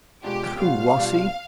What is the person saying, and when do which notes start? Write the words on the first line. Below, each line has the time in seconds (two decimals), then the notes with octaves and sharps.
"Who was he?"
0.23 B2 G#3 D4 F4 G4
0.60 B2 G3 B3 F4 F5
0.96 B2 G3 D4 F4